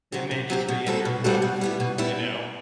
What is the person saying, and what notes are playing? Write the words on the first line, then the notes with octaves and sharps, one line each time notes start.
it may just be in your path, you know?
F#3 C4 G4
C3
F#3 C4 G4
B2
G3 C4 F#4 A4
B2
G3 C4 F#4 A4
B2
G3 B3 E4
B2
G3 B3 E4